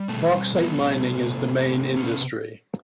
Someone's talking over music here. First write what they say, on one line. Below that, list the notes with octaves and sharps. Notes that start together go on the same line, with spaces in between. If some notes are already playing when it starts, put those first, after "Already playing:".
Bauxite mining is the main industry.
Already playing: G3
B2 A3
G3
G3 A3 B3
B2
C3
C3
C3
C3
C3 B3 C#4